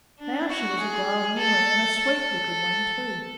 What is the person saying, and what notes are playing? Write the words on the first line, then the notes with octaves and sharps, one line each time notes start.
Now she was a grown woman, and a sweet-looking one too.
D4
F#4
G#4
A4
A4